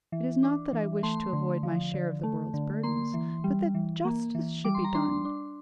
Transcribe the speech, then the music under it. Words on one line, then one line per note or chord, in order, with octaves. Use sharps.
It is not that I wish to avoid my share of the world's burdens, but that justice should be done.
E3
D4
E3
A3 C6
D3
F3
D3
A3
D3
A#3 C6
E3
G3
E3
A#3
E3
G3 D6
C6
A#5
D4 C6
D4